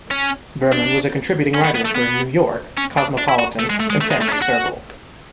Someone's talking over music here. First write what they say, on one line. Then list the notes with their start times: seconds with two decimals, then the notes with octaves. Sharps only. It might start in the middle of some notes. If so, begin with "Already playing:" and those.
Berman was a contributing writer for "New York", "Cosmopolitan" and "Family Circle".
0.11 C#4
0.72 D4
1.54 C#4
1.64 B3
1.75 B3
1.85 A3
1.96 B3
2.77 C#4
2.98 D4
3.18 D4
3.29 E4
3.39 F#4
3.59 A3
3.70 G#3
3.80 A3
3.90 G#3
4.01 A3
4.11 G#3
4.21 A3
4.28 C#4
4.31 D4
4.42 F#4